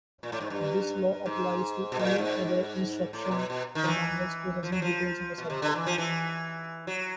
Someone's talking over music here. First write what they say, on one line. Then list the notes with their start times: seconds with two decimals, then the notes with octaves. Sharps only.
This law also applies to any other instruction manuals possessing details on the subject.
0.23 A#2
0.32 A2
0.41 G#2
0.50 G2
1.26 G#2
1.92 B2
1.99 A#2
2.18 G#2
3.13 A2
3.25 A#2
3.31 B2
3.50 B2
3.75 D#3
3.84 F3
3.87 E3
4.63 F3
4.72 F#3
4.82 F3
5.38 B2
5.50 C3
5.62 D3
5.75 E3
5.87 F3
5.98 E3
6.87 F#3